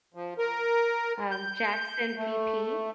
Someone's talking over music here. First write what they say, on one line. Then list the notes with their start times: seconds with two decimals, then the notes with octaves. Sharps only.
um, Jackson VP.
0.14 F3
0.39 A#4
1.31 G6
2.16 A3